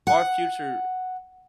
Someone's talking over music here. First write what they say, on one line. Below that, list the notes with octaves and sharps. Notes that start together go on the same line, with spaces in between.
Our future
F#5